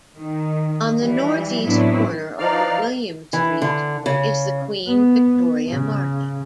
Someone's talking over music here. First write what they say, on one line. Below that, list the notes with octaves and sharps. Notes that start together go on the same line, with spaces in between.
On the northeast corner over William Street, is the Queen Victoria Market.
D#3
E3 G3
A2 F#3 B3 C4 D4 E4
E3 F3 D#4 D5 F5 F6
E3
D3
C#3
B3
C#3